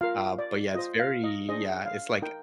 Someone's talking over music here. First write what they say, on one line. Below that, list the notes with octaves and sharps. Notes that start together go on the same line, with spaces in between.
Uh, but, yeah, it's very yeah, it's like
F4 A#4 F5
D5
F4 C5 D#5
F5
D#5
D4 G#4 C5 D#5
F5
D#4 A#4 G5